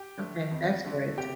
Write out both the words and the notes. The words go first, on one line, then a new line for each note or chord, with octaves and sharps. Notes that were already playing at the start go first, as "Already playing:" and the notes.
Okay, that's great.
Already playing: G4 G5
D3 A3
F2
D3 A3
C3 G4 G5